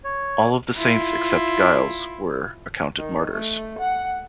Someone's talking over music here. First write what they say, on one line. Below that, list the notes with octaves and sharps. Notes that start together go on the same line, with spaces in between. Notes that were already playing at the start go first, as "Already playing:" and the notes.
All of the saints except Giles were accounted martyrs.
C#5
E4 F4
D#3
A3
F#5